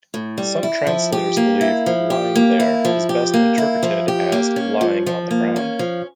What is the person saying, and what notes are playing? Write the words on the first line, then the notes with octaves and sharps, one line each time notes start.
Some translators believe "lying there" is best interpreted as "lying on the ground".
A2
G3
E4
F3
G4
A#3
E4
F3
G4
A#3
E4
F3
G4
A#3
E4
F3
G4
A#3
C#4
F3
F3
A#3
C#4
F3